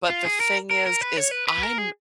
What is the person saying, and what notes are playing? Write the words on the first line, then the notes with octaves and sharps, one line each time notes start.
but the thing is, is I'm
F4
G#4
A#4
A#4
A#4
B4
C#5
B4
B4
A#4
G#4